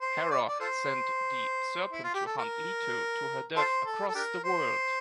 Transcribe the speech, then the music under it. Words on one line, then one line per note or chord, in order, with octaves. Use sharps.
Hera sent the serpent to hunt Leto to her death across the world.
C5
D5
D5
F4 A4 C5
E4
F4
G4
A4
A#4
F4 A4 C5
A4
A4
D4 G4 A#4
C5